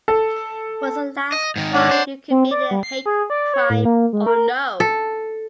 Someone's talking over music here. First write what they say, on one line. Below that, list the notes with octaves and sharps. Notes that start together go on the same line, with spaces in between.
Was the last crime you committed a hate crime, or no?
A4
D#5
G#2 D#3
D4 C#5 F#5
C5
C4
D5
G3
C7
G#4
D5
C#5
A2
A#3
G#3
A#4
A4